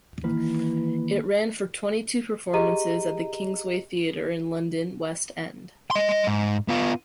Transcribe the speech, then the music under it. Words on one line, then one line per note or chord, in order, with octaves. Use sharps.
It ran for twenty two performances at the Kingsway Theatre in London West End.
D#3 E3 A#3 B4
G4 G#4 D#5 A#5 D#7
D#5 C6
G#2
B3 F4